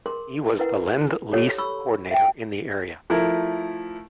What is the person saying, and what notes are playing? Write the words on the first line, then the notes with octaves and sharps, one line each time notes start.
He was the Lend Lease coordinator in the area.
G#4 A#4 C6
E4 A#4 B4 F#5
G4 A4 C#5 F#5
B5 C#6 E6
E5 F#5 G5
F3 A3 E4 A#4